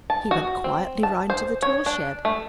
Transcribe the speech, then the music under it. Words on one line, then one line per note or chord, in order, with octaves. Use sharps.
He went quietly round to the tool shed.
A5
F#4
C4
A5
C5
C#5
D4
A3